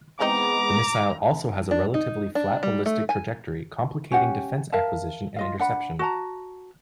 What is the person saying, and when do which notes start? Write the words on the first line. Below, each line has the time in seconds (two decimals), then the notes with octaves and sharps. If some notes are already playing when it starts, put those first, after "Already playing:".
The missile also has a relatively flat ballistic trajectory, complicating defense acquisition and interception.
0.20 E3 G#3 B3 C4 D#4 A#5 D6
1.71 D4
1.94 D#4
2.35 D4
2.63 G3
2.86 A3
3.09 G#5
4.12 C#4 G4 F#5
4.72 A#4 E5 F5 A5
5.36 F4 D#5 F5
5.59 D4 F#5 B5
5.99 F#4 A5 A#5